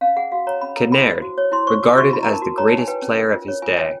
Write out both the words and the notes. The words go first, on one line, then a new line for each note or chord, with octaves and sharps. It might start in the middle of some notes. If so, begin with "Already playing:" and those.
Kinnaird, regarded as the greatest player of his day.
C#4 F5
G#4 F#5
F#4 F5
C#5 A#5
C#4 B5
A4 A#5
E4 B5
C5
F#4
C#5
E4 C6
C5 C#6
F#4 D6
F#4 C#6
E4 B5
A#5
A#4 A5
F#4
C#5 A#5
D#4 A5
G#5
B4 G5
C#4
A#4
F4
C#5
F4 G#5
C#5 G5